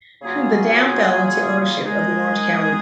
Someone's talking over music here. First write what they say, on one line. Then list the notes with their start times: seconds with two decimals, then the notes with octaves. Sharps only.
The dam fell into ownership of the Orange County.
0.22 C#3 F#3 A#3 F4 G#4
1.82 D#3 G#3 D#4 G#4